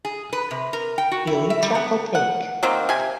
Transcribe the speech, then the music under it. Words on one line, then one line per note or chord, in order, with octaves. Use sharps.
Elytra opaque.
G#4
B4
C3
A#4
G5
F#4
E4
E5
G3
B3
F#5
D#3 A#3 C4
C3 G#5